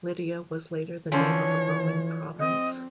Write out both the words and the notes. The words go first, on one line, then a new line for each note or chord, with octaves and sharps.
Lydia was later the name of a Roman province.
D3 E3 F3 C#4 C#5
C4 D#5